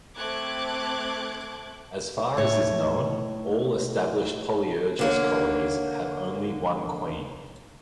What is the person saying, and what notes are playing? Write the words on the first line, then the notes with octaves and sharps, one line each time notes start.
As far as is known, all established "Polyergus" colonies have only one queen.
A3 C4 D6 F#6 G#6
A2 C#5
D3 A#3 C#5